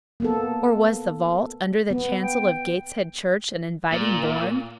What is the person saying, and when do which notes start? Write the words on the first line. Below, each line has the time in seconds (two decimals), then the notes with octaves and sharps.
Or was the vault under the chancel of Gateshead Church an inviting bourne?
0.20 A#3 B3 A4
1.91 B3
2.23 G5
3.92 A#2